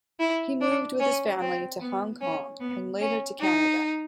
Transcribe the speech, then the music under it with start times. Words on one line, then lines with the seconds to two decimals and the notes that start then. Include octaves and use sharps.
He moved with his family to Hong Kong and later to Canada.
0.20 E4
0.61 D4
1.00 C#4
1.41 C4
1.81 B3
2.21 C#4
2.60 B3
3.00 C#4
3.41 D#4